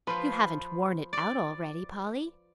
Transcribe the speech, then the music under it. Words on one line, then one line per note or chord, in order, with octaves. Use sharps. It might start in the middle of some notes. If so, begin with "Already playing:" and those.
"You haven't worn it out already, Polly?"
F3 F4 B4
D5